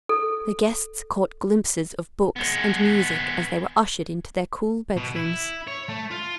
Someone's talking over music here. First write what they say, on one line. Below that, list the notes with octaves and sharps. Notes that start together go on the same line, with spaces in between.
The guests caught glimpses of books and music as they were ushered into their cool bedrooms.
A4
G#3 B3
B2
E4
C#5
A3
F4